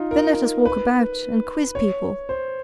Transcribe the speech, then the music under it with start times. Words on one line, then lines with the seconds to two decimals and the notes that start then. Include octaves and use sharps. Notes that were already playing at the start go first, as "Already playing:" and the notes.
Then let us walk about and quiz people.
Already playing: D#4 F4
0.11 A#4
0.66 B4
1.75 C#5
2.29 C5